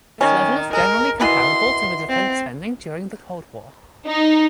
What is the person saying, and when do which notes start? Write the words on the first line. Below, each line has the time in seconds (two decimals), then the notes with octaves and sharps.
This level is generally comparable to the defense spending during the cold war.
0.21 D#3 C#4
0.73 G#3 A#4
1.21 B2 E3 B3 C6
2.09 C4
4.07 D#4